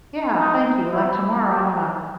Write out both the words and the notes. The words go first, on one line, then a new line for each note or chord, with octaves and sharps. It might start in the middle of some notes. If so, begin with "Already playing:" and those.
Yeah, thank you, like tomorrow, I'm gonna
D#4
E4
G4